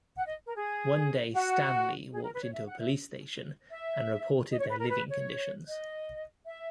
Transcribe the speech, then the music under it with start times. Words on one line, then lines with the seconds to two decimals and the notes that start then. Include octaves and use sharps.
One day Stanley walked into a police station and reported their living conditions.
0.16 F#5
0.26 D#5
0.45 A#4
0.55 G#4
1.34 F#4
2.13 G#4
2.23 A#4
2.33 B4
2.42 C#5
2.53 E5
2.66 F#5
2.79 E5
3.70 E5
4.49 D#5
4.59 C#5
4.69 B4
4.79 A#4
4.89 B4
5.08 C#5
5.67 D#5
6.46 E5